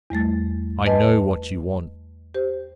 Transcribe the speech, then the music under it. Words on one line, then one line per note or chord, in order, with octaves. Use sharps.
"I know what you want."
E2 G3 A3 A6
B4 D#5 G#5 A5
G4 C5